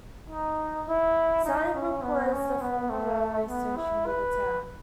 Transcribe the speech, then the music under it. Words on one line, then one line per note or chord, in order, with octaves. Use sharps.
Sallybrook was the former railway station near the town.
D#4
E4
D#4
C#4
B3
C#4
B3
A3
B3
E4
B4